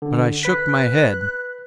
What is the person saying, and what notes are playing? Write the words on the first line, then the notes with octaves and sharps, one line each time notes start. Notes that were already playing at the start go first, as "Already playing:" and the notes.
But I shook my head.
D3
B4 F#6 B6